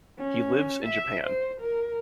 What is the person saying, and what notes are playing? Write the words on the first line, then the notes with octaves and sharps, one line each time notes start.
He lives in Japan.
C#4
E5
C5
A#4